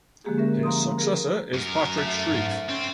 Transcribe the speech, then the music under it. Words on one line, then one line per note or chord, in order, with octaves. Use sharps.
His successor is Patrick Streiff.
D3 F3 G#3 A#3 G4 G#4
G#3 C#4 A#4 E5
F5 A#5 C6 D#6
G#4 A#4
F#2 A#4
A3
G#2
C4 C#4